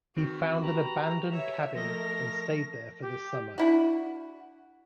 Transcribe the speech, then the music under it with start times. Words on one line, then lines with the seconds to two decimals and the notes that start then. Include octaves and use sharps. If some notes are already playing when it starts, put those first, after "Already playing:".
He found an abandoned cabin and stayed there for the summer.
0.17 D#3 B3 C4 F#4
0.63 G4 B4 A#5
1.29 C#5 E5
1.75 F3 A3 A#4 D#5 A#6
3.03 G4
3.58 D4 E4 F#4